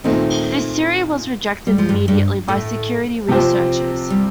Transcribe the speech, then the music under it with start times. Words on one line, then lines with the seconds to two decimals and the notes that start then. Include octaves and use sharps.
This theory was rejected immediately by security researchers.
0.04 D#2 A#2 D#3 A3 C4 D#4
1.67 G3
1.78 F3
1.89 G2 G3
2.08 G2 G3
2.48 A2 A3
3.28 C3 F3 C4 G4 C5
4.10 G3